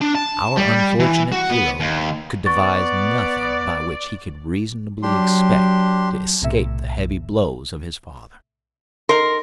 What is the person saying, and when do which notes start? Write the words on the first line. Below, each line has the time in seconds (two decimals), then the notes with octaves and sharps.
Our unfortunate hero could devise nothing by which he could reasonably expect to escape the heavy blows of his father.
0.01 D4
0.15 A5
0.57 G3
1.00 E3
1.32 F#4
1.50 B3
1.80 D#2
2.46 B3 D5 C#6 A6
5.03 F#3 D4 G4 C6
6.42 B1 A2 C3 E5
9.09 D#4 A#4 C6